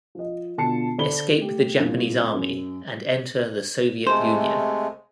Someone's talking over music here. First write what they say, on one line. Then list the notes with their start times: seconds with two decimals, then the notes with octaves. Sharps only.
Escape the Japanese army and enter the Soviet Union.
0.15 F3 D#5
0.58 B2 D3 F4 A5 C7 C#7
0.98 D3 D4 A4 C5 B5 G7
1.41 A3 G4
1.80 C2 A#2
2.34 F#2
4.07 C3 G#3 A3 C5